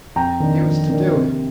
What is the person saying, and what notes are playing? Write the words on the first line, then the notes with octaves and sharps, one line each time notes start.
He was to do it.
F2 G5 A#5
D#3 A#3 D4
F2
D#3 A#3 D4
C3